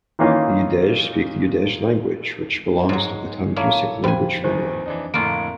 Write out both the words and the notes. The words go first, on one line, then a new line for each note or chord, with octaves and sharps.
The Udege speak the Udege language, which belongs to the Tungusic language family.
D#3 E3 A#3 C#4 D#4 F4
G#2 F#3 G#3 C#5
A#3 E4 A4 C#5
F2 C3 C5 G5 G#5 B5
D#2 D#3 E3 C5
E3 D4 D#4
F2 A2 D3 A#3 F4 D7